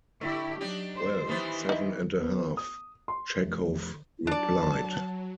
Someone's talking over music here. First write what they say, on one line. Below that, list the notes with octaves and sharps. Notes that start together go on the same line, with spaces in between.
"Well, seven and a half," Chekhov replied.
D3 A3 E4 G4
F#3 D4 D#4 G4
C5
D#3 E3 B3 C5
D#4 E4
B3
D#6
C6
F1
F#3 D4 D5 A5